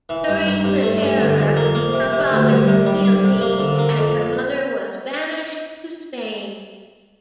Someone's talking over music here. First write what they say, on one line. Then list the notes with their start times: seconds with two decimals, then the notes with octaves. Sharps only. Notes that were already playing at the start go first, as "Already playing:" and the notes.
During the Terror her father was guillotined, and her mother was banished to Spain.
0.09 E3
0.28 G2
0.46 G2
0.64 G2
0.83 A3
1.02 G2
1.20 D3
1.38 F2
1.56 A#3
1.75 A#3
1.93 C3
2.12 C3
2.31 D2
2.49 G3
2.68 C3
2.86 G3
3.04 G3
3.24 C3
3.41 A#3
3.59 D3
3.79 A#3
3.97 F2